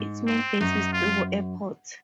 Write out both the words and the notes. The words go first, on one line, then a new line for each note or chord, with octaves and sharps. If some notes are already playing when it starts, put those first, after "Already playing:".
Its main base is Dubbo Airport.
Already playing: G#2
C4
F#2 D#4
F4